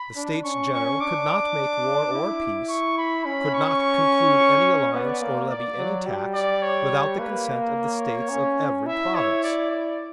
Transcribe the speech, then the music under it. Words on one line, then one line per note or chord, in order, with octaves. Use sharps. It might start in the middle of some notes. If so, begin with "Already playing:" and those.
The States General could not make war or peace, could not conclude any alliance or levy any tax, without the consent of the States of every province.
Already playing: B5
D4
C#4 C#6
C#4 C#6
D4 D6
E4
C#6
B5
C#4 B5
C#6
B3 D5
A#3
D5
F#3
G3
D5
C#5
A#3 B4
C#5
C#4
E4 E5
C#5
D5
D5